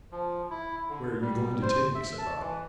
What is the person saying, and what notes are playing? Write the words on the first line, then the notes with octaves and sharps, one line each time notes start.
'Where are you going to take me?' said Bob.
F3
E4
D3
G3
C5
E5
A5
E3